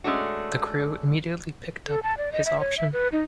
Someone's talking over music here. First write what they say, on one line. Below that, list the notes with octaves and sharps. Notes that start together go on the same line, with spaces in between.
The Crew immediately picked up his option.
G#3 A3 C#4 D4 F#4
A4
A5
D5
D#5
E5
C#5
E5
B4
D#4